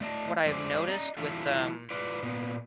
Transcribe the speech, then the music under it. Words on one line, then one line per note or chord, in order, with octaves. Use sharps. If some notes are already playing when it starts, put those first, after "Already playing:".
what I've noticed with um
A3 D5 D#5 A5
F2 G#3 A3 C4 D5
D5 D#5 A#5
E3 F#3 A3 E4 F4
F4 B4 D5
A#2 B3